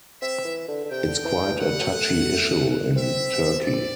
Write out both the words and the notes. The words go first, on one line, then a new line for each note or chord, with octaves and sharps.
It's quite a touchy issue in Turkey.
C4 E5
E3
D3
D3
C3 G5
D3
E3
D3
E3
F#3 F#5
G3
F#3
A3
C4 E5
D5